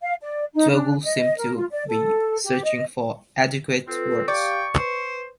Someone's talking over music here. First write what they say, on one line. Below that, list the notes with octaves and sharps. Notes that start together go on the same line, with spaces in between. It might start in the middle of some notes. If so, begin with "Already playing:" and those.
Dougal seemed to be searching for adequate words.
F5
D5
D#4
D4
D#5
A#4
F4
D5
A4
G4
D#5
C4 F4 A4 B4
G4 D5 F5 G5 C#6
B4 C5